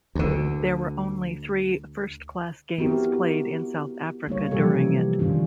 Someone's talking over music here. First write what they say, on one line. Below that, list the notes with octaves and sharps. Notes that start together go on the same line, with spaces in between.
There were only three first-class games played in South Africa during it.
D2 D3
B3 C4 E4 F#4 G4 A#4
G3 A#3 D#4 C#5
C3 E3 F3 G3 G4 A4
D#3 E3 C#4 D4 F4